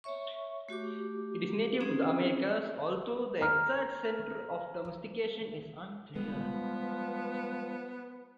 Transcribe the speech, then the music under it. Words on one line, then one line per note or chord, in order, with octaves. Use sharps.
It is native to the Americas, although the exact center of domestication is unclear.
C#5 E5 C#6
A3 F#4 G4 D6
C4 C#4 D#4 G#4 C5
A#5 F6
F3 G3 G#3 B3